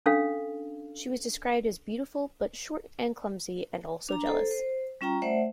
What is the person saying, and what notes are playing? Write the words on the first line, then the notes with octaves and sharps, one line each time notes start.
She was described as beautiful but short and clumsy, and also jealous.
C#4 D4 A4 F5
D4 A#5
A4 C5
C5
G3 C#4 F4 G5 A#5
A3 C5 D5 E5 F#5